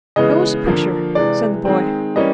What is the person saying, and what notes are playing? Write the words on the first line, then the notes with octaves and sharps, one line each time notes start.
'Show us a picture,' said the boy.
C#3 E3 G#3 B3 D#5
D3 F3 A#3
C3 E3 G#3 D5
D#3 G#3 C4
E3 G3 A#3 C#4 D#5